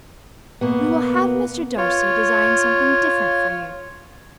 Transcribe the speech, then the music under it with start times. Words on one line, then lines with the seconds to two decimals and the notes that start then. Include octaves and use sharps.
"We will have Mr. Darcy design something different for you."
0.61 B2 A#3 B3
1.77 F4 C#5